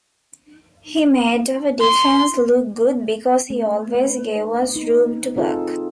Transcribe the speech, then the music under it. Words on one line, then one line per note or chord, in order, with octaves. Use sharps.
He made our defense look good because he always gave us room to work.
C6
A3
B4
D#4
C4 D#4 F4 G#4 A4